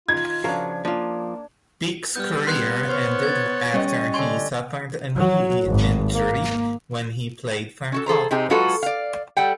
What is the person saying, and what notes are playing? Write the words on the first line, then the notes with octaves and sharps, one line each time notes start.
Beeck's career ended after he suffered a knee injury when playing for Cottbus.
D#3 F4 G#6
C#3 F3 D4 F4 F#4 A#4
F3 A#3 D4 F4
G3 B3 F6 G6
B3 C6 F#6 G#6
C5 C#5 F6
G#6 A6
G3 C#4 D#5
D3 G#5 C6 C#6 G#6
F#3
G#1
A#3
C#4 F#4 A4
G#4 A4 C5 A#5
C3 C4 D#4 G4 G#4
F#3 G#3 F4 F#4 A4 B4
D5 F5
G3 A4 F#5 G5